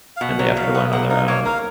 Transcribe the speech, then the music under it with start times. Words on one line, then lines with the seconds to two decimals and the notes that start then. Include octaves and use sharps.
and they have to learn on their own.
0.17 F5
0.21 B2 F#5
0.39 F#3
0.56 B2 F5
0.75 B3
0.92 A#3 F#5
1.10 D#4 F5
1.28 A#3 C#5
1.45 A#4 F5